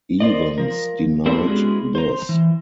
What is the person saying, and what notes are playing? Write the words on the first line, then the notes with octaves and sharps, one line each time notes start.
Evans denied this.
A#4 C5 D5 D#5
F3 A#4
A#3 C4 D4 E4 G4 A4
G#3 B3 C#4 E4 F#4 G#4
C5 A#5
E3